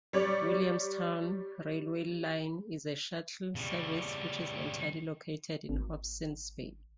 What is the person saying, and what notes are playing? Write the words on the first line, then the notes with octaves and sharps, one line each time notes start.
Williamstown railway line is a shuttle service which is entirely located in Hobsons Bay.
G3 C#5 D5
C#3 G3
G#1